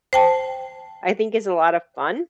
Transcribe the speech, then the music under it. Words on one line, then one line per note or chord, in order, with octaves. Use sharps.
I think it's a lotta fun
C5 G5 A5